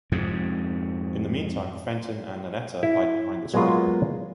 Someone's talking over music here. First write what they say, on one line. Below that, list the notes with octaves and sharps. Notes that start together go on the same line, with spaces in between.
In the meantime Fenton and Nannetta hide behind the screen.
F2 G#2 C3
E4
F#3 G#3 A#3 B3 F4 G#4